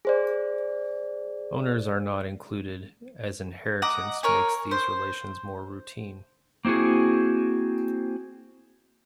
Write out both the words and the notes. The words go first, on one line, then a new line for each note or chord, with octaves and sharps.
Owners are not included, as inheritance makes these relations more routine.
G#4 C5 D5
D#5 F#5 A#5 D6
A#4 C#5 G#5
C5
A#3 C4 E4 F#4 G#4